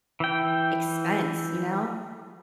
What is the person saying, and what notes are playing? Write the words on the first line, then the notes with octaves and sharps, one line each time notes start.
expense, you know?
E3 G5